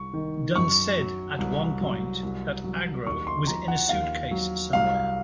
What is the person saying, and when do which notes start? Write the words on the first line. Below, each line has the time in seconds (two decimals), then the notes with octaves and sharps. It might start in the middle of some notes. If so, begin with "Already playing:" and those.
Dunn said at one point that Agro was 'in a suitcase somewhere'.
Already playing: C2 C#6
0.14 D#3
0.56 F#2 C#6
0.98 F#3
1.38 C2
1.81 F#3
2.23 C2
2.64 F#3
3.06 D#2 C#6
3.27 C6
3.47 F3 A#5
3.68 F#5
3.89 D#2 F5
4.31 F#3
4.73 C2 F5